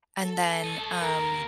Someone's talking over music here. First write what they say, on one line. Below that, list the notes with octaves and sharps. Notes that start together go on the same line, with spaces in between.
And then, um,
A4
C#5 D#5
D#2 A#4